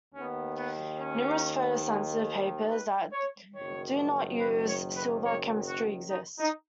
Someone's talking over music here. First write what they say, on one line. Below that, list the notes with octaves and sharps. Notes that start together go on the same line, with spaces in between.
Numerous photo sensitive papers that do not use silver chemistry exist.
D#2 D#3 B3 C#4
B3
C#4
B4
C#5
F#1 F#2 D#3 C#5
B4
C#5
B4
C#5
F#4
D#4
D#4